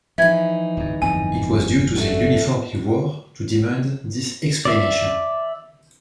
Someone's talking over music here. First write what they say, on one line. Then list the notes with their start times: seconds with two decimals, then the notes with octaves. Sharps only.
It was due to the uniform he wore, to demand this explanation.
0.18 E3 F3 D#4 E5 G#6
0.77 D1 G2
1.02 G1 F2 G#2 G#5
1.96 A3 D4 F#4
4.65 D5 E5